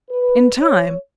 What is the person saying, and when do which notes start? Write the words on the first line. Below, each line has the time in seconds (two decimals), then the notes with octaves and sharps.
In time!
0.11 B4
0.61 C#5